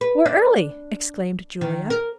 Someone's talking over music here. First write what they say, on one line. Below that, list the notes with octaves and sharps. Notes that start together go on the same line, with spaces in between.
"We're early!" exclaimed Julia.
B4
D4
D#3
A#4